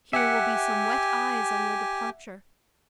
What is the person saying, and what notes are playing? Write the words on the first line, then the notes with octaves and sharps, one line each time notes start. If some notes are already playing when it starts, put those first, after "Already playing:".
Here will be some wet eyes on your departure.
G4 E5 F#5 G#5